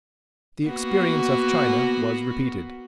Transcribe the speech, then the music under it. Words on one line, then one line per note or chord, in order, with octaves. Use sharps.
The experience of China was repeated.
A#3 B3 F#4